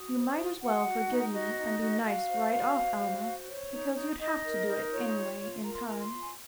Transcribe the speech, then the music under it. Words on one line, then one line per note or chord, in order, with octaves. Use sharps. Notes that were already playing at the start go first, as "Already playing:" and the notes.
You might as well forgive me and be nice right off, Alma, because you'd have to do it anyway, in time.
Already playing: F#4 D#6
C5
F#4
F#4 F#5
F#4
D#4
F#4 D#5
D#4
F#4
F#4 F5
C5
F#4
C5
F#4
C5
C#5
D#4
D#4
D#4 D#5
A#4
D#4
F4 C#5
F4
F4
A#4 A#5
C6
F4 A#5
C6
F4
G#5